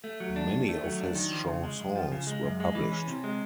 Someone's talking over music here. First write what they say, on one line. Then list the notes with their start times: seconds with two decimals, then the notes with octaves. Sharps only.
Many of his chansons were published.
0.04 A3
0.20 F#3
0.36 D4
0.52 D#3
0.69 A3
0.84 F#3
1.00 D4
1.15 D#3
1.32 F3
1.48 C#3
1.64 G#3
1.80 F#2
1.96 F3
2.12 C#3
2.27 G#3
2.43 F#2
2.60 G#3
2.75 E3
2.92 C#4
3.07 C3
3.24 G#3